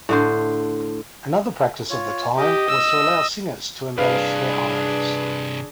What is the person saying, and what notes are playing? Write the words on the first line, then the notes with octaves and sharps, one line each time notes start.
Another practice of the time was to allow singers to embellish their arias.
A2 D3 C5
F4 C#5
G4 D#5
E6
G2 C3 D4 G#4 B4 F5